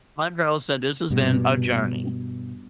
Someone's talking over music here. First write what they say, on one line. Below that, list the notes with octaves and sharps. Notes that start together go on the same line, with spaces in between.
My girl said, "This has been a journey."
G2 B2